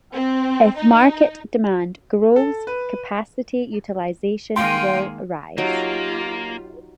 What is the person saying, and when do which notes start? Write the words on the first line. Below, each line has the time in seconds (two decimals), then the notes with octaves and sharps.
If market demand grows, capacity utilization will rise.
0.13 C4
0.77 D#4
2.36 A4
2.67 B4
4.56 D#3 G#3 A#3 F5 G5 C6
5.58 F#3 A#3 D#4 F4 G4